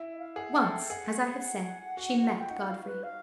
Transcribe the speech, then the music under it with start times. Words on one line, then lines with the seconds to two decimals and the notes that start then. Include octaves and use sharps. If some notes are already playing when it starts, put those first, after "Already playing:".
Once, as I have said, she met Godfrey.
Already playing: E4
0.14 E5
0.19 F5
0.36 G#4 F#5
0.49 F#5
0.62 A4 G5
0.76 G5
0.89 G#4 F#5
1.97 F#4
2.23 F4
2.39 G5
2.50 D#4 F#5
2.69 F5
2.86 B4
3.03 F5